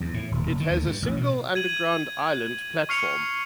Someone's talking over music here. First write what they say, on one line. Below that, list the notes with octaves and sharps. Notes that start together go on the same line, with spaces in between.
It has a single underground island platform.
E2
A2
D#1
F#1
D#3
D2
G2
A1
B2
G#6 D#7 F#7
C#6 F6 C7 C#7 F7